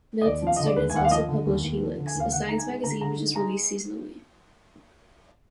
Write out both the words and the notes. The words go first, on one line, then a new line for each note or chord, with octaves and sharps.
Milton students also publish "Helix", a science magazine which is released seasonally.
D#5
D#2 D5
F3 F5
D3 D#5
D5
D#2 B4
G#5
D#2 F#5
F5
F3 D#5
D3
D#2
D#2
F3
D3
G#5
D#2
F5
D3 F#5
D#4 A#5
G#5
G#3
D3 A#5
D3 A#5
D#4
G#3 A#5